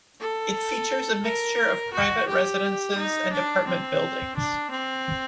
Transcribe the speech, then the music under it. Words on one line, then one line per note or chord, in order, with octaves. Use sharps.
It features a mixture of private residences and apartment buildings.
A4
A#4
F#4
G4
D#4
D4
C4
D4
C4